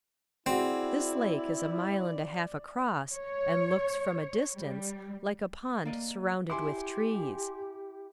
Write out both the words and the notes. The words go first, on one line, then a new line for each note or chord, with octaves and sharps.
This lake is a mile and a half across and looks, from a distance, like a pond surrounded with trees.
C4 E4 F#4 G#4 D5
C#5
G3
A#3 D5 D#5
E4 G4 G#5 C6 D6